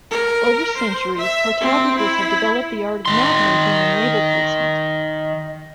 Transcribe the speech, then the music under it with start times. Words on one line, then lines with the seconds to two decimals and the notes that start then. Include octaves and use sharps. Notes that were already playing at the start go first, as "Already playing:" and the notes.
Over centuries, cartographers have developed the art of mapmaking and label placement.
0.11 A#4
0.76 C5
1.18 E5
1.61 C4
1.97 E4
3.06 D#3 C6